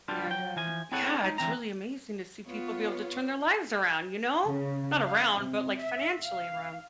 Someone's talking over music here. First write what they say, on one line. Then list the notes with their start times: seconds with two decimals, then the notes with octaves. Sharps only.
and, uh yeah, it's really amazing to see people be able to turn their lives around, you know? Not around, but, like, financially around.
0.08 G3 B3 D4 F4
0.27 F#3 G5
0.56 E3 F3 G#5
0.92 C4 E4 G#4 A4 C#5 F#5
1.23 G#3 D#4
1.38 D3 E3 C4 A#5
2.46 B3 F4 C#5
4.46 C#3
5.06 F5
5.39 C3
5.80 E5
6.24 F5